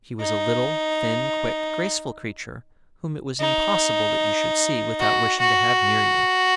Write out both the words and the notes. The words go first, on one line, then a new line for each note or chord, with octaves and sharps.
She was a little, thin, quick, graceful creature, whom it was impossible that you should see without wishing to have near you.
D#4
D#4
F#4
F#4